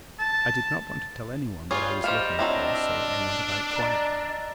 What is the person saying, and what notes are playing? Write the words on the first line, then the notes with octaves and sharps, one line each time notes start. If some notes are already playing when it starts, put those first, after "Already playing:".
I did not want to tell any one what I was looking for, so I went about quietly.
A5
G3 F4 G#4 C#5
G3 C5 D#5 F5 F6 E7 F7
F#3 C4 D4 E4
E6
D5 D#5 A#5 A6